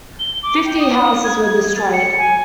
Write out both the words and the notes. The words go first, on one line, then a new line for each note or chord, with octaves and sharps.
Fifty houses were destroyed.
G7
D6
G5
D#6
G#6
G#6
A6
C#7
G#5